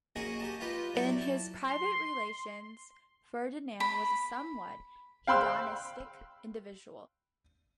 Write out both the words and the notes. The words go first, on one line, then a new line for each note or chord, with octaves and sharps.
In his private relations, Ferdinand was a somewhat hedonistic individual.
A#3 C#4 F#4 G#4 D#5
G4 D#5 A5
F4 G4 B4 D#5
F#3 G3 E4 A4
A5
C6
B5
F5 G5 B5 C6 E6 F#6